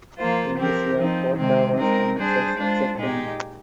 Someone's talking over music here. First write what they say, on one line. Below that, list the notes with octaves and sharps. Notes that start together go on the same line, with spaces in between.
Venetia Kotta was one such exception.
F3 A#3 F4 C5
F3 C4 G4 A#4
F3 C4 D#4
C3 D#3 G#3 C4
G#3 C4 D#4 A#4
G3 D4 G#4 C5
G#3 D4 F4 C5
A#2 G#3 D#4 G4